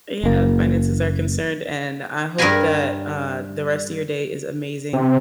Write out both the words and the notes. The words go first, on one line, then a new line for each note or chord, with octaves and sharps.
Yeah, finances are concerned, and I hope that, uh, the rest of your day is amazing.
F#1 A#3
G2 A#4 B4 F5 G#5 A#5
C3